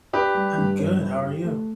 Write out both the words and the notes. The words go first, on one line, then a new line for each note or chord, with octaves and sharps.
I'm good. How are you?
D4 G4 B4
G3
G2
G1
B4
G4
A3